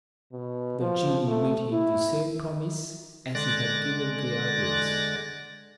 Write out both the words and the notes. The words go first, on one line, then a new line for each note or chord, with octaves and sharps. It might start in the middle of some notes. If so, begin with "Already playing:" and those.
The genie made him the same promise as he had given the others.
B2
F3
A3
E4
D3 G#3 D5 F#6 A6 A#6